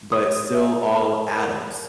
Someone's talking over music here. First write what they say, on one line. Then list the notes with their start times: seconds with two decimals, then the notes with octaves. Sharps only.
but still all atoms.
0.12 C#5 D#6
0.54 E5
0.96 A#4
1.38 A#4